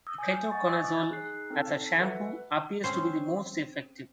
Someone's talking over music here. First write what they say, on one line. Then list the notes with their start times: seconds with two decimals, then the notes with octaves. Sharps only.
Ketoconazole as a shampoo appears to be the most effective.
0.18 G#5 D#6 G6
0.51 D#5 F#5 G#5 C#6 A6
1.10 D#4 G#4 F#6 C7
1.50 C4 D#4 A4 A5
1.75 A4
2.00 F#4 A4 B4 E5 F#5
2.84 C4 C#4 C5